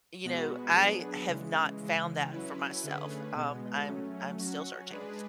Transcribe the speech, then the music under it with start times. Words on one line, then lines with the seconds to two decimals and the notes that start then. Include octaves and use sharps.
you know, I have not found that for myself. Um, I'm I'm still searching.
0.25 B2 G#3 B3 F#4 B4
0.76 F#3 B3 D4 G#4 B4
1.28 C#3 E3 G#3
1.80 C#3 E3 G#3
2.32 F#3 C#4 E4 B4
2.83 D3 A3 C#4 G#4 B4
3.35 B2 G#3 B3
3.87 F#3 A3 C#4
4.39 F#3 C#4 F#4
4.91 G#3 D4 G#4 B4